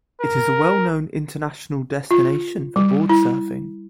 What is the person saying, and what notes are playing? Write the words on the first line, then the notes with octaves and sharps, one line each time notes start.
It is a well-known international destination for board-surfing.
A#4
F4
G3
E4